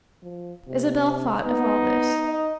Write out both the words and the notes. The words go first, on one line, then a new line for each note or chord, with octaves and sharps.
Isabel thought of all this.
F3
C3
B3 D#4
D#5